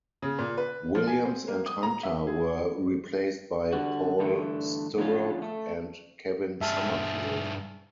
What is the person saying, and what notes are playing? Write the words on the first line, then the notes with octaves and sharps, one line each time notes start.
Williams and Hunter were replaced by Paul Sturrock and Kevin Summerfield.
C#3
A#2
B4
F3
G#5
C4
A#3
D#6
A#5
E5
G#4
D3 G3 F#4
G2 D3 E3 A3
A#2 D3 F3 C#4 F4
A3
G2 G#4 E5 A5 F6